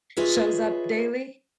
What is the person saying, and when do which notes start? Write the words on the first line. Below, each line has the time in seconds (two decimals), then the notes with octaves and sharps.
shows up daily?
0.17 F4 G#4 B4 C#5 D#5 E5